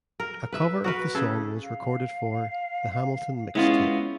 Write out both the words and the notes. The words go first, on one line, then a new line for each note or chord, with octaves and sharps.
A cover of the song was recorded for "The Hamilton Mixtape".
A#4
B4 E5
F#4 A#4 B4
C#3 G#4 A4
F5
G#3 B3 C#4 E4 F4 C5